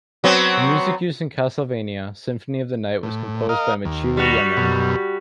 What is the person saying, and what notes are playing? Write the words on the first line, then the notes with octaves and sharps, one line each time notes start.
The music used in "Castlevania: Symphony of the Night" was composed by Michiru Yamane.
F#3 B3 C4
A2
A#4 D#5 F5
D#2
G3 F#4
F#2 B2